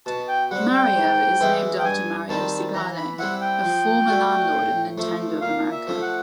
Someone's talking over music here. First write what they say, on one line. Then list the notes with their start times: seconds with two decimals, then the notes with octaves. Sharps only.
Mario is named after Mario Segale, a former landlord of Nintendo of America.
0.06 B2 A5
0.28 G5
0.51 G3 C4 F#5
0.74 G5
0.96 G#2
1.40 E3 G#3 B3 E4
1.79 G5
1.84 G2 G#5
2.29 D#3 G3 C4 A5
2.74 E3 A#5
2.97 B5
3.18 G3 C4 E4 F#5
3.41 G5
3.64 F3
4.08 A3 D4 F#4
4.53 A2
4.98 F3 A3
5.41 A#2 F5
5.72 E5
5.87 F3 A3
6.02 F#5